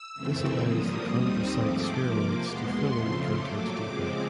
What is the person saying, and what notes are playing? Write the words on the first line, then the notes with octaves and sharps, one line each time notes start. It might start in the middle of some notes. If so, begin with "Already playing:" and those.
This allows the chondrocyte spheroids to fill in the cartilage defect.
Already playing: E6
F#2 C#3 E3 A3 C4
G2 D3 F3 A#3 D#6
D#2 D#3 G3 C4
G#2 F3 A3 C4 D6
C3 F3 A#3 D6
E2 B2 G#3 B3 C6
F2 C#3 F3 A3
A#2 F#3 A3 D6
C#3 F3 G#3 C4